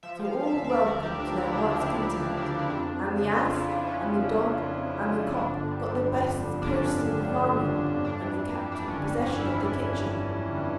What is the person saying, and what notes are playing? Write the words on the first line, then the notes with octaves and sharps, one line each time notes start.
So all were welcomed to their heart's content, and the ass and the dog and the cock got the best posts in the farmyard, and the cat took possession of the kitchen.
F3 E5
F3
F5
F3
F5
E5
D2
E5
D2 D5
F3 A#4
D2 G4
D2 D4
D2 E4
C#3 D4
F3 D4
D4
D2 E4
C#3 D4
D2
C#3 D4
F3
E4
F2 D4
F2
F2
C#3
F2 F4
C#3 E4
F3 D4
F3 C#4
F2
C#3
F3
F2
F2
C#3
C#3
F3
E4
G1 D4
D3
G3
G3
F2
G3
G1
D3
D4
G1 C#4
F2
G1
G3
D3
G1
G1
F2
G2 D4
E3
E3
G3
E3 D4
G1 C#4
G3 C#4
G3 C#4
G2 E4
D4
E3
E4
G2
G2
G2
G2
G1
E3